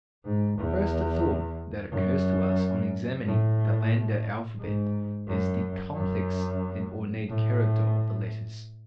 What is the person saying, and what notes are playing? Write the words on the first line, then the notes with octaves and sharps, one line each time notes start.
The first thought that occurs to us on examining the Landa alphabet is the complex and ornate character of the letters.
G#2
E2
F#2
A2
G#2
F#2
F#2
A2